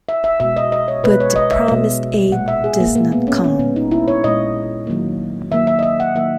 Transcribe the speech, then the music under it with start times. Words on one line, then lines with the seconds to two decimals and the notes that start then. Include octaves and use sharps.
But the promised aid does not come.
0.09 E5
0.24 E5
0.40 B2 G#3 E5
0.56 D#5
0.72 D#5
0.88 C#5
1.03 B2 G#3 B4
1.20 C#5
1.36 D#5
1.51 E5
1.68 B2 G#3
2.31 A#2 G#3 F#5
2.48 E5
2.64 G#4
2.80 A#3
2.95 A#2 G#3 A#3
3.12 B3
3.28 C#4
3.44 C#4
3.59 A#2 G#3 B3
3.76 D#4
3.91 E4
4.08 C#5
4.24 A#2 G#3 D#5
4.87 D#3 F#3 A#3
5.52 D#3 F#3 A#3 E5
5.67 E5
5.79 D#5
5.83 E5
6.00 F#5
6.15 D#3 F#3 A#3 E5